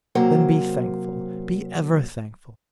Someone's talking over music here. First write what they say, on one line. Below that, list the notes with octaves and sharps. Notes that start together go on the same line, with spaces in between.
Then be thankful--be ever thankful.
C3 F#3 A#3 C5